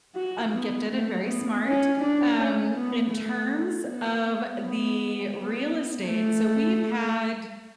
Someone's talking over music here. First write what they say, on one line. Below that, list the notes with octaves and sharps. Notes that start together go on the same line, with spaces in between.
um, gifted and very smart. Um, in terms of the real estate, so we've had,
F#4
B3
A3
B3
C#4
D4
C#4
B3
A3
B3
B3
B3
A3